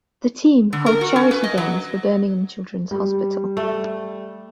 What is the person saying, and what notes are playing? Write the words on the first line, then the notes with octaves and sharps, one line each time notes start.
The team hold charity games for Birmingham Children's Hospital.
D3
A#4
F#4
C#4
B4
D#5
F#3
G3
A3